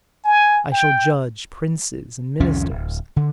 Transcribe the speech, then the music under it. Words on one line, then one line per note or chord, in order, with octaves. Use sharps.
I shall judge princes and ministers.
G#5
G5
C2 F2 D#3 C#4
D1
D3